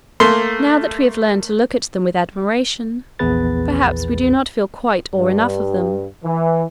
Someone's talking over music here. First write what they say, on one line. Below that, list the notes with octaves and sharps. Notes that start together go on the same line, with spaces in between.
Now that we have learned to look at them with admiration, perhaps we do not feel quite awe enough of them.
A3 A#3 C6
A#1 E2 B3 G#4 B4 A6
G2
E3